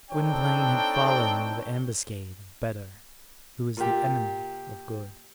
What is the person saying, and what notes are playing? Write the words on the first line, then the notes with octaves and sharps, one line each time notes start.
Gwynplaine had fallen into the ambuscade of Better, who is the enemy of Good.
C4 D4 D#4 A4 C#5 G5
A#2 G4